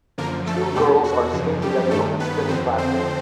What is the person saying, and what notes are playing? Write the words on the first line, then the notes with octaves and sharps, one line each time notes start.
Two girls are sitting together on a spinning platform.
F#2 D3 F3 A#3 A#4
A3 A4
E2 B2 G3 G4
F#4
F#2 C#3 F3
G3 G4
G2 D#3 A3 A4
B3 B4
F2 D3 F3 C4 C5
C4 C5